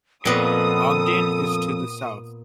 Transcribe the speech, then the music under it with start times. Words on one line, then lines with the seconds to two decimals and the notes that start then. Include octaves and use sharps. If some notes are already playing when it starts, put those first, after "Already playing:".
Ogden is to the south.
0.25 F2 A#2 B3 A4 D#6